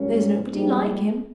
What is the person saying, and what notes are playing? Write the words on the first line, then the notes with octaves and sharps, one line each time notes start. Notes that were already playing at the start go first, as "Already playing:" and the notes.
There's nobody like him.
Already playing: A#1 G#2 G3 A#3 C#4
A#1 G#2 G3